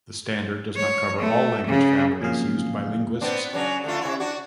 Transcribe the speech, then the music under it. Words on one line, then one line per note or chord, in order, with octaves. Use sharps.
The standard does not cover all language families used by linguists.
C#5
A3
C#3
F2 A#2 C#3 F#3 G#4 F5
B3 C4 D4
C#3 F#3 D4
D3 A3 F4
C3 E4
D4 F#4